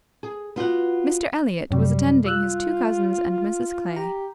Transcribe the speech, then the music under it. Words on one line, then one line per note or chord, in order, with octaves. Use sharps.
Mr Elliot was attending his two cousins and Mrs Clay.
G#4
B3 F4 F#4 F#5
F#2 C3 F#3 G3
G3 F4 E6 F#6
G4 A#5